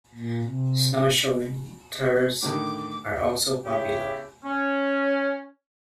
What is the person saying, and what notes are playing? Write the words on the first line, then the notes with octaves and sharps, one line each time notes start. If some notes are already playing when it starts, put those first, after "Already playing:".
Snowshoeing tours are also popular.
A#2
C3
A2 D3 D#3 D6
C#3 E4 G4
C#4